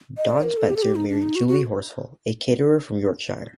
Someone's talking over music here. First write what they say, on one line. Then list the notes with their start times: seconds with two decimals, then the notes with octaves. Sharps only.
Don Spencer married Julie Horsfall, a caterer from Yorkshire.
0.17 D#5
0.30 D5
0.43 A#4
0.57 A4
0.70 G4
0.76 A4
0.83 G4
0.96 D#4
1.09 D4
1.22 D#4
1.36 F#4
1.48 F#4